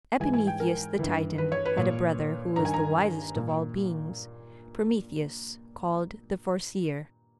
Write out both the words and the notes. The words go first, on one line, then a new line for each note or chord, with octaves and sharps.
Epimetheus the Titan had a brother who was the wisest of all Beings--Prometheus called the Foreseer.
G#2 E3 G#5
G#5
G5
A#4
G2 E3
B4
C#5
B4
A#2 C#5
G2 D#3 A#5
G#5
A#5
A#2